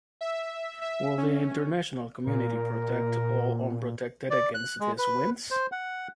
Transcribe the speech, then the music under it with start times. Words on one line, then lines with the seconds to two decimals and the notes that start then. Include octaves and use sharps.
Will the international community protect all unprotected against these winds?
0.21 E5
0.82 E5
1.18 C#4
2.27 A#2 A#4
4.31 D5
4.54 F#6
4.80 G#3
4.98 B4
5.51 C5
5.72 F#5